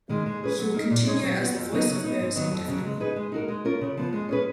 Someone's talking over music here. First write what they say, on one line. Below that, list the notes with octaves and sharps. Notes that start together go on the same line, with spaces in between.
He will continue as the voice of the Bears indefinitely.
D#3 G#3
G#3
C#4 G#4 B4
F#3
A#3 D#4
A#2
G#3 D#4 G#4 C#5
F#3
B3 F#4
F2
C#3 F#3 B3 D#4
F#3
B3 D#4
G#2
D#3 F#3 B3
F2
C#3 F#3
G#3
D#4 G#4 B4
G#3
D#4 F#4 A#4
G#3
C#4 F4 A#4
C#3
F3 B3
G#3
C#4 G#4 B4